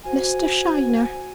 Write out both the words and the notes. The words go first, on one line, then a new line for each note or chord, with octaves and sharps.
"Mr. Shiner."
F#4 C5 F#5 G#5